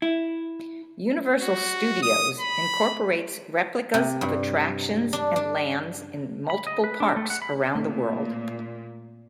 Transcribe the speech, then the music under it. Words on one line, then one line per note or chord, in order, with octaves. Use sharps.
Universal Studios incorporates replicas of attractions and lands in multiple parks around the world.
E4
F#4
D#6
B5
C3
G2
D4
D4
B5
D#5
B4
D4
A3
F#5
B5
A#2 A3 C4